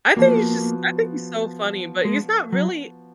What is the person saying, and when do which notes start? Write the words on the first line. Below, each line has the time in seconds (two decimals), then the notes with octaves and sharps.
I think he's just I think he's so funny but he's not really
0.16 F3 A#3 B3 F#4
2.05 G#3
2.52 F#3